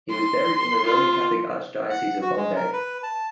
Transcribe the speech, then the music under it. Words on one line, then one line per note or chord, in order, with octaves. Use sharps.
He was buried in the Roman Catholic Archdiocese of Bombay.
C6
F4
F#5
F#4
G#3
A#4
B4
A5